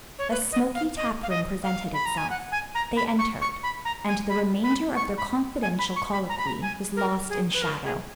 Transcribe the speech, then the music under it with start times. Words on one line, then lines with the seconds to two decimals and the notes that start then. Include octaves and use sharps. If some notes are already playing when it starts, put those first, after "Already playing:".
A smoky tap-room presented itself; they entered, and the remainder of their confidential colloquy was lost in shadow.
0.19 C#5
0.30 B4
0.52 D#5
0.75 F5
0.97 D#5
1.23 F5
1.30 D#5
1.63 F5
1.94 B5
2.06 A#5
2.18 G#5
2.30 F#5
2.52 G#5
2.75 A#5
2.97 B5
3.18 C#6
3.41 C#6
3.63 B5
3.85 A#5
4.08 G#5
4.30 B5
4.64 B5
4.96 C#6
5.18 B5
5.62 G#5
5.79 B5
5.96 C#6
6.13 B5
6.29 A#5
6.38 B5
6.47 A#5
6.62 G#5
6.96 A#4
7.30 G#4
7.54 B4
7.62 A#4
7.85 G#4